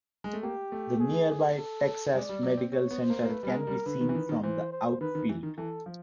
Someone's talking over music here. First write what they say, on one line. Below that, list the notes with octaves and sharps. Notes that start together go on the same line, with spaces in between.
The nearby Texas Medical Center can be seen from the outfield.
G#3
A3
A#3 G4
A3
G#4
A4
G#3 D5
G3
F#3
C4
C4 C#5
B3
C5
A#3
A#3
A3 B4
G3
G#3
A#4
G3
D3 B4
D#3
E3
D#3
D#3
E3 C5
C5
D#3 B4
D#3
E3
D#3
E3 A4
F3